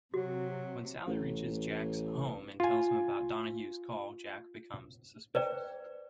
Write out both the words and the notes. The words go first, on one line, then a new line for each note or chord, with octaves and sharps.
When Sally reaches Jack's home and tells him about Donahue's call, Jack becomes suspicious.
C3 F#3 F#4
A1
F4 G#5
B4 C5 D5 G5